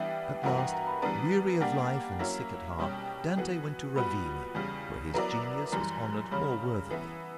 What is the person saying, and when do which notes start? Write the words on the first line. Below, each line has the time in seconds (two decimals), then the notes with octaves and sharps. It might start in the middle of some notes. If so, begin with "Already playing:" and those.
At last, weary of life and sick at heart, Dante went to Ravenna, where his genius was honored more worthily.
Already playing: E3 G3 B3 D4 G4 E5
0.43 G2 E3 B3 F#4 A#4 F#5
0.58 G5
0.73 A#5
0.87 B5
1.02 E3 G3 B3 D4 A#5
1.61 G3 A#3 D4 G4 F#5
2.19 F#3 A#3 C#4 E4 A#5
2.79 B2 G3 C#4 G4
3.37 E3 B3 F#4
3.96 A#2 G3 B3 F#4 B5
4.54 E2 C#3 G3
5.14 F#3 B3 E4 A#4 D5 A#5
5.72 F#2 E3 G3 A#5
6.31 C#3 G3 C#4 B5
6.90 E3 B3 E4